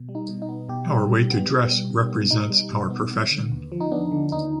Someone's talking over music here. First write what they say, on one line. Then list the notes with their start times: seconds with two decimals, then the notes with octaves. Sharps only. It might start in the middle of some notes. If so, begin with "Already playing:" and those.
Our way to dress represents our profession.
Already playing: B2
0.09 G3
0.15 D#4
0.29 B2
0.42 D#4
0.49 B3
0.69 B2 G4
0.89 G3
1.09 B2
1.30 B3
1.49 B2
1.69 G3
1.90 B2
2.10 B3
2.30 B2 D#4
2.50 G3
2.71 B2
2.90 B3
3.11 B3
3.31 D3
3.52 D#2
3.72 F3
3.80 D#4
3.92 B3 D4
4.11 D3
4.32 D#2 D#4